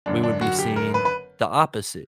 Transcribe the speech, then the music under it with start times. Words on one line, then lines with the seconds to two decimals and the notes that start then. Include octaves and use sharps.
we would be seeing the opposite,
0.06 F#1 F#2 D3 D4
0.23 D4
0.41 F#4
0.59 G4
0.76 A#4
0.94 B4
1.05 B4